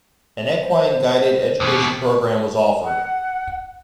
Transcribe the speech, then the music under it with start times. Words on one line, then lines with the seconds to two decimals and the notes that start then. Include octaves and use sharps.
An equine-guided education program was offered.
0.59 C5
1.60 D#2 B2
2.84 F#5